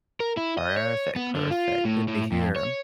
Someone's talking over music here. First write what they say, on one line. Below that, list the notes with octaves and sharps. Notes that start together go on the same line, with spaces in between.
Perfect, perfect, good to hear.
A#4
E4
D#5
C#5
B3
D3
F4
A2
A2
F2
C#5